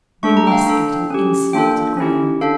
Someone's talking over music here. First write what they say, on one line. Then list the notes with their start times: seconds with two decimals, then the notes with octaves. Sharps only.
We must get on insulated ground.
0.23 A3 D4 A4 C#6
0.37 A#5
0.47 G5
0.52 F5
0.66 D4 A4
1.10 C#4 G4
1.53 A#3 D4 F4 A4 G5
1.97 C#4 E4 G4
2.41 D4 A4 F5